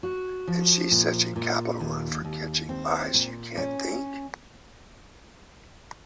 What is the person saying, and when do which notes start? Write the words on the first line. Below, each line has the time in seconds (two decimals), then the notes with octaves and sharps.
And she’s such a capital one for catching mice you can’t think!
0.03 F#4
0.48 F3
0.91 A#2
1.36 A#2
1.80 D#2
2.25 D#2
2.69 C4
3.14 A#2
3.57 C#4